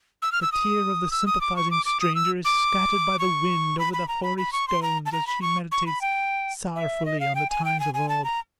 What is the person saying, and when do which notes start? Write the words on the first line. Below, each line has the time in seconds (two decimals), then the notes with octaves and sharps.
The tear of the sympathising stranger is scattered by the wind over the hoary stones as she meditates sorrowfully on the times of old!
0.22 E6
0.32 F6
0.42 E6
0.52 D#6
1.11 E6
1.26 D#6
1.41 D6
1.56 C#6
1.71 D6
1.85 D6
2.00 D#6
2.15 E6
2.45 D6
3.19 C#6
3.79 B5
3.93 B5
4.08 A#5
4.23 B5
4.38 B5
4.52 C#6
4.68 C6
4.82 A#5
5.06 A5
5.12 A#5
5.27 B5
5.42 C#6
5.72 C#6
5.86 B5
6.01 G5
6.76 E5
7.05 D#5
7.20 F5
7.35 G5
7.50 G#5
7.65 G5
7.80 G#5
7.94 G#5
8.09 A5
8.24 A#5